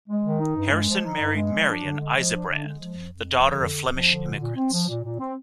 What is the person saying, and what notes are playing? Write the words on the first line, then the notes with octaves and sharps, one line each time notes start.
Harrison married Marion Isebrand, the daughter of Flemish immigrants.
G#3
D#3
D#4
G2
G#3
F3
D#4
G2
G#3
F3
D4
D3
G#3
F3
D4
D3
G#3
F3
F2
F2
F3
D3
F2
F2
F3
D3
A#2
A#2
C4
F3
A#2
A#2
C4